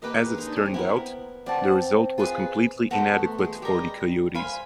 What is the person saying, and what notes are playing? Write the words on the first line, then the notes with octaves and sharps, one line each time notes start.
As it turned out, the result was completely inadequate for the Coyotes.
A#3 G4 B4 D#5
G#3
D#4
D4
C#4
C4
B3 E4 G4 A#4
C4 D5 F#5 A5
F4 G#4 B4
B3 F#4 A4 C5
A3
G#3
G3 G4 A#4 D#5
C5 F5 G#5 B5